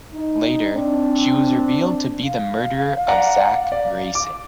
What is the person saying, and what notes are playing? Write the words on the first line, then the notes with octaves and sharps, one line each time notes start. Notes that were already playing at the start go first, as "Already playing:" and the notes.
Later, she was revealed to be the murderer of Zack Grayson.
D#4
C4 D4
F5
D5 F#5 A#5
D5
D6